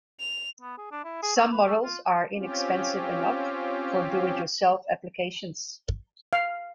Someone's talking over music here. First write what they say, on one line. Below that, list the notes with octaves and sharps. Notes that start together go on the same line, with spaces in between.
Some models are inexpensive enough for do-it-yourself applications.
F7
B3
G#4
D4
E4
G#4
A3
B4
A3
F4
C4 C#4 F4 G4
F5